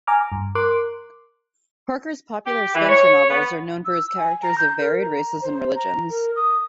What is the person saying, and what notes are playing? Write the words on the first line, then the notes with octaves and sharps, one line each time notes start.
Parker's popular Spenser novels are known for his characters of varied races and religions.
G#5 A#5 D6 F6
G2
A#4 C6 D6 F#6
G4
E3
C#5
B3
E6
G#5
A#5
G6
A#4
A#5
C5
A#5
A#4
D#6